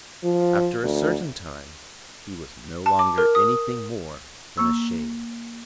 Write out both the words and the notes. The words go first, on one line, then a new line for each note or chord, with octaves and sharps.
After a certain time he was no longer anything more than a shade.
F3
D2
A5
D6
A#4
D#6
A#3 C#6 E6